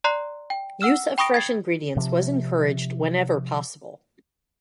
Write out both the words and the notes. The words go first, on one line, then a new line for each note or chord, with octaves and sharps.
Use of fresh ingredients was encouraged whenever possible.
D5 A#5 C6 F#6 C7
G5
F#5 E6 F6 E7
G5 B5 C#6 D#6 A#6 D7
G#6 A6 C7
C3 F3